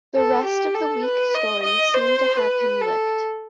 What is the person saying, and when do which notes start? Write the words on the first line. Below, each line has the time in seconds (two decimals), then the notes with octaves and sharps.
The rest of the weak story seemed to have him licked.
0.16 A4
0.45 G4
0.75 A4
1.05 B4
1.35 D#5
1.63 D#5
1.94 C5
2.37 B4
2.82 A4